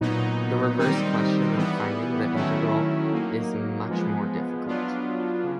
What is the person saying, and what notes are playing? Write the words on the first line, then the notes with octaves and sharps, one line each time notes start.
The reverse question of finding the integral is much more difficult.
A#2 F#3 B3 D#4
D#3 G3 C4 D#4
E3 G3 B3
D#3 F#3 A3 C#4 E4
F#3 A#3 D#4
F3 G#3 B3
F#3 B3 D4 F4
C#3